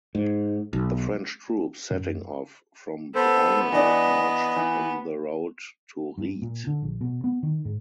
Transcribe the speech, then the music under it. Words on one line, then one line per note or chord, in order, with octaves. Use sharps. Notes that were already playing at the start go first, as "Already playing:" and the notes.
The French troops setting off from Braunau marched on the road to Ried.
G#2
B1
F#2
B3 A4 C5
E3 D4 D#5
E3
G2
A#2
D3
A#1
B2
B3
D#3
G#2